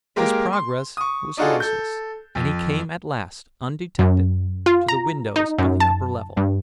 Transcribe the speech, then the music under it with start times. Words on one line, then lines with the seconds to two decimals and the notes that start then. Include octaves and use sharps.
His progress was noiseless and he came at last, undetected, to the windows of the upper level.
0.16 G#3 A#3 G4 A#4
0.53 C6
0.97 C#6 D#6
1.37 D4 D#4 F4 F#4 G#4 A4
1.60 A4 G6
2.35 F2
3.99 F#2
4.66 F4
4.88 A#5
5.36 D#4
5.58 F#2
5.80 A5
6.37 G2